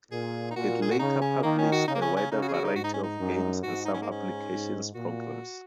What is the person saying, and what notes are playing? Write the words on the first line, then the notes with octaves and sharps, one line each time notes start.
It later published a wider variety of games and some applications programs.
A#2 G#4
D#4
A#2 F#4
G#4
F#4
C#3 D#4
C#4
D#3 A#3
C#4
F#4
C#3 D#4
A#3
C#4
C#4
C#3 D#4
F#4
G#4
F#4
D#4
G#2 F#4
D#4
C#4
D#4
F#2
G#2 F#4
D#4
C#4
A#3
C#4
G#2
A#2 F#4